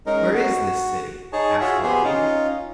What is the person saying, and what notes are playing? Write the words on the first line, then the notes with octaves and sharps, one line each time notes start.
"Where is this city?" asked Dorothy.
G#3 C#4 D#4 A#4
F#4
D#4 G#4 C#5 A5
F4 F#4 G#4 C#5 E5
B3 G4 G#4 C5 G#5
C#4 D#4 F4